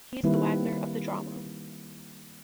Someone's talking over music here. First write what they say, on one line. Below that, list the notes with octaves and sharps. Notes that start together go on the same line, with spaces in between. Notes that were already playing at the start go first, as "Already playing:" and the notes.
He is the Wagner of the drama.
D#3 G3 A#3 C4 E4 B4